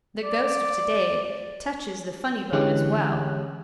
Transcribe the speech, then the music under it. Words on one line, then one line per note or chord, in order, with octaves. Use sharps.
The ghost of to-day touches the funny bone as well.
D5
D3 E3 G#3 C#4 G4 F#6